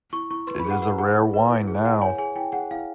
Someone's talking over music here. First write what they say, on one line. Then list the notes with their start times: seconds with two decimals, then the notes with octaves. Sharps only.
It is a rare wine now.
0.13 E4 C#6
0.31 E4 C#6
0.47 B4 C6
0.59 B5
0.65 G#4
0.70 F#5
0.82 B4 F#5
0.98 G#4 F#5
1.16 E4
1.34 B4
1.50 E4
1.67 G#4
1.84 E4 F#5
2.01 C#5 G#5
2.18 G#4 G#5
2.36 E4 G5
2.53 G#4 F#5
2.71 E4 F5